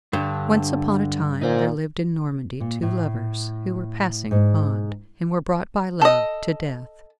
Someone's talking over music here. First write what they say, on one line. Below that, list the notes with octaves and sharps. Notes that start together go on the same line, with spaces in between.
Once upon a time there lived in Normandy two lovers, who were passing fond, and were brought by Love to Death.
G2 D3
A#2 D#4 C5
A#2
A2
G#2
A4 D#5